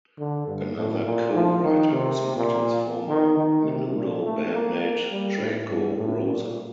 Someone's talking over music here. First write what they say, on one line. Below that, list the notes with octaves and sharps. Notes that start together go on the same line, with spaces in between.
Another co-writer was Martin's former Menudo bandmate Draco Rosa.
D3
G2
A2
A#2
F3
D#3
C3
A#2
D#3
D#3
C3
A#2
A3
A#3
A#3
G3
A2
G2
A2
A#2